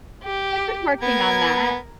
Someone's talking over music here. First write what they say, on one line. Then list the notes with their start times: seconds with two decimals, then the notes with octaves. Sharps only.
I've been working on that.
0.24 G4
1.02 B3 A#4 G#6